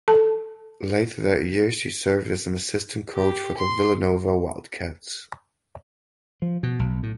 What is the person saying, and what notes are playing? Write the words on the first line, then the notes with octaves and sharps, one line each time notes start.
Later that year she served as an assistant coach for the Villanova Wildcats.
A4 A5
G4
C6
F3
B2
B1
A2